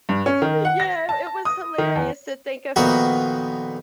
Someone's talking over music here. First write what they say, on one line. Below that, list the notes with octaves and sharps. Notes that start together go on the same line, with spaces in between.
Uh, yeah, i it was hilarious to think of
G2
C#4
D#3
F#5
A#6
A5
D#6
D#3
E2
F2 A#2 D#3 B3 D#4 F#4